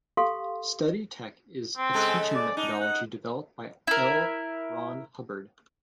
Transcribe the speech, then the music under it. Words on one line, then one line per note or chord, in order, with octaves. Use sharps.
Study Tech is a teaching methodology developed by L Ron Hubbard.
G4 A4 F5 C6
C4
C#3 G#3 A4
D5
D4 D#4
F#5
E4 A#4